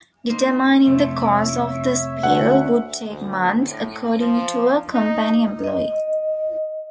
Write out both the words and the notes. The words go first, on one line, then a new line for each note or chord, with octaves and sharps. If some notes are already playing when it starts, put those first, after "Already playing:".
Determining the cause of the spill would take months, according to a company employee.
A#3 D#4 C5
F2 C3 A3 C#5 E5
D2 F#5
D2
A2
F3
D#4
D#5